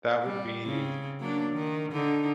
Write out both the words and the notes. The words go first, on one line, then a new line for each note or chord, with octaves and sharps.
that would be
G3
C#3 C4
F#3 A#3 D4
D#3
D3 D#4